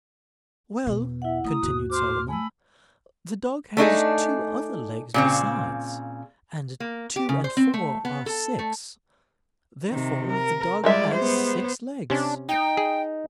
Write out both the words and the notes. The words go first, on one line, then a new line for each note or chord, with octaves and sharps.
"Well," continued Solomon, "the dog has two other legs, besides, and two and four are six; therefore the dog has six legs."
E2 B2
E4 E5 F#5
A3 E4 A#5 D#6
D#2 G#2 F#4
F#4 C5 C6 D6 F6
A3 G#5 B5 E6
A3 D4 D#4 G#4
A#2 C#3 C4
A#3
G4
C#3
C5
C4
A3
B3
A4
A3
C3 D#3
A#4
G3 G#3 F4 D5 E5
B3 C5
C3 C#4 D4
D#4 G5
G#4